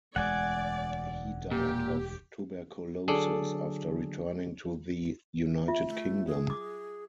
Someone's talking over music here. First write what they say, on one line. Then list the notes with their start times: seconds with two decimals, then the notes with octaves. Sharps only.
He died of tuberculosis after returning to the United Kingdom.
0.16 E1 D2 G#3 D5 F#5 G#5
1.51 A#2 G4
3.08 D3 F#3 G#4 A4 D5
5.68 F4 E5
5.89 A3
6.27 G#4
6.50 D6 D#6